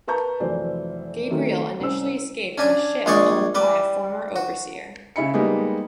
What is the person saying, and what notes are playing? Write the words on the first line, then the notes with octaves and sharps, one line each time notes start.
Gabriel initially escaped on a ship owned by a former overseer.
A#4 B4 A5 A#5 C#6 G6
F1 E3 F#3 C5 D5
D#3 F#3 A3 C4
C2 C#4 C5 E6
C#4 D4 G#5
A#1 G#3 G#4 C#5 D5 C#6
G3 B4 D6
F#4
C#3 E4 B5 C#7
G3 G#3 A#3 B3 D#4